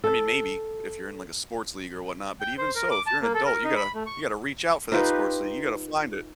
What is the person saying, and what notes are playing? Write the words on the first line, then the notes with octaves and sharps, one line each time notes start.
I mean, maybe, if you're in, like, a sports league or whatnot, but even so, if you're an adult, you gotta you gotta reach out for that sports league, you gotta find it.
A4
G5
C5
A#4
D6
A5
A#3
A4
A#4
D#4
B5
A3
C#6
D#4 F4 G4 B4